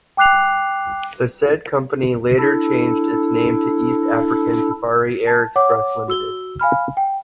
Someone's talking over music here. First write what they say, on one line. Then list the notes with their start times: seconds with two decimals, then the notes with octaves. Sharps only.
The said company later changed its name to East African Safari Air Express Limited.
0.17 G5 D6 F#6 C7 F7
2.39 D4 E4 A4
5.27 A5
5.56 C#5 F#5 D6
6.08 F#4 E6 G7
6.60 F5 G#5 B5 F6
6.97 G5